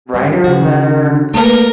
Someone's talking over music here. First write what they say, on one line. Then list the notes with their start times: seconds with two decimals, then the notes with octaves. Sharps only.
write her a letter,
0.14 G#2 G3
0.44 C#3 F#4
1.34 A3 A#3 A#4 B4